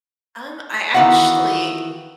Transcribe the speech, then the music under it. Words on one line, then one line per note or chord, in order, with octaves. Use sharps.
Um, I actually
D#3 E3 B3 F#4 F5 F#5